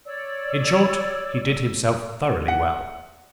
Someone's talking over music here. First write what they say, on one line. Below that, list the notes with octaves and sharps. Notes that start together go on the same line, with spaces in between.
In short, he did himself thoroughly well.
C#5 D5 E6
F#5